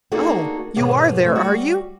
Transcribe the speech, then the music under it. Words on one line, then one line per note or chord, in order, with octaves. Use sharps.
Oh! you are there, are you?
A#3 D4 D#4 F#4 G#4 A4
D#2 G#2 B2 A#3 B3 G#4
F#2 A3 C4
G3 F#4